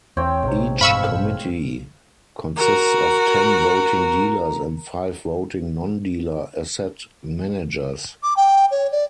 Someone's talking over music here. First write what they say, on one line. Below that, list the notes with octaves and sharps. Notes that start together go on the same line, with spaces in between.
Each committee consists of ten voting dealers and five voting non-dealer asset managers.
E2 C4 C#5 G5
A#1 G#2 C3
A1 G2 B2 F5 B5 C#6 E6
F#4 A#4 A#5
D6
G5
C#5
D5